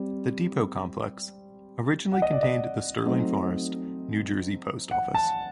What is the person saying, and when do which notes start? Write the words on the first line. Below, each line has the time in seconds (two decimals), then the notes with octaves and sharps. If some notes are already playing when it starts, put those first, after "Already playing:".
The depot complex originally contained the Sterling Forest, New Jersey post office.
Already playing: G3 C4
2.12 F#5
2.22 D#5
2.32 D5
2.43 D#5
3.06 F#3 A3 C4 D#4
4.91 F#5
5.15 A5